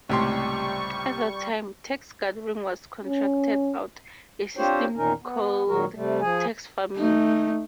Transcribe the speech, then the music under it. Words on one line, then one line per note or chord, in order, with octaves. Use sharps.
At that time, tax-gathering was contracted out, a system called tax farming.
C#2 A2 C3 G3 G4 C6 C#6
C#4
C4 D4 F4 G4 C5 C#5
E2 A#2 D#3 C#4 D#4 A#4
B3
A#2 D#3 F#3 F#4 A#4
C3 G3 A3
F3 G#4 G#5
A3 D#4